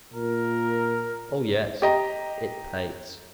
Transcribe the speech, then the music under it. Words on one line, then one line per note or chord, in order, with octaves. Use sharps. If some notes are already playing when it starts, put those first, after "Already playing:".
"Oh yes, it pays."
A#2 A#4
G4 D#5 A#5